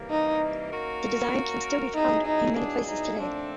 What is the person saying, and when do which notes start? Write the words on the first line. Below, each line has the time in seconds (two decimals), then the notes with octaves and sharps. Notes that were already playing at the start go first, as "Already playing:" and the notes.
The design can still be found in many places today.
Already playing: C3 E3 G3 A#3
0.11 D#4
0.72 A#3 C#4 F#4 A#4
1.95 F#3 B3 D#4 E4 G#4
2.27 D#4
2.57 D4
2.87 D#4
3.18 A#2 F3 A3 C4 D4